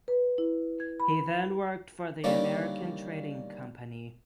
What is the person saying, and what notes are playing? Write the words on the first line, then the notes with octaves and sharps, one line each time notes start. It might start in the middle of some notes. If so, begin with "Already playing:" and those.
He then worked for the American Trading Company.
B4
E4
G#6
B5
D3 D#3 G3 A#3 C#4